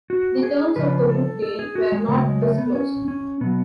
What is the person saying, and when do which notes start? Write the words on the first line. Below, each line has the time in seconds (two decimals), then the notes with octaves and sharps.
The terms of the book deal were not disclosed.
0.10 F#4
0.43 G#4
0.76 C#3 F3 B4
1.09 A4
1.42 A4
1.59 G#4
1.75 F#4
1.92 G#3
2.08 C#3 F#3 A3
2.26 G#3
2.42 A3
2.58 B3
2.75 C#4
3.08 C#4
3.41 B2 F#3 B3